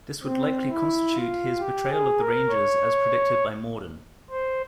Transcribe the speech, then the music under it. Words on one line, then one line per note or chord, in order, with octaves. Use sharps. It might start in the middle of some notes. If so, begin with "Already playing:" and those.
This would likely constitute his "Betrayal of the Rangers" as predicted by Morden.
C4
E4
F4
G4
G#4
A#4
C#5
C5